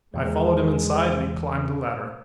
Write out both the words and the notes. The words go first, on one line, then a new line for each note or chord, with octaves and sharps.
I followed him inside and he climbed the ladder.
E2 A#2 E3 G#3